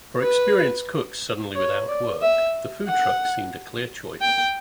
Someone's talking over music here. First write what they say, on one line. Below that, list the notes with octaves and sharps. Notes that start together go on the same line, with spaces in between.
For experienced cooks suddenly without work, the food truck seemed a clear choice.
B4
C#5
D5
E5
F#5
G5